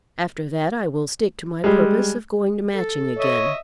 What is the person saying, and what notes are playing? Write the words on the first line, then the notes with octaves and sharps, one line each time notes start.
After that I will stick to my purpose of going to Matching again.
G3 G#3
A4
C#5 D#5 E5